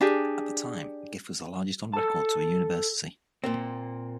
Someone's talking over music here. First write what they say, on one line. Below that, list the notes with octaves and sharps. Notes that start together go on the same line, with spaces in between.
At the time, the gift was the largest on record to a university.
D4 G4 G#4
A4 A5
A#2 A#3 C4